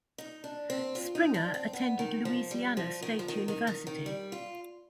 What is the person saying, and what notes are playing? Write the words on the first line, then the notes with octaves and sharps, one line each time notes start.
Springer attended Louisiana State University.
D#4
D4
C4
F4
D#4
D4
C4
B3
D#3
F3
G3
F3
D#3
F3
D#3
D#3
D#3
D#3
G3
F4